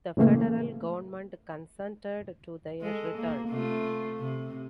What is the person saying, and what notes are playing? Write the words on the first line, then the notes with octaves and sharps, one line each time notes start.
The federal government consented to their return.
A2 C#3 E3 A3 A#3
G#3 A4
A#3
C3 A3 F4
C3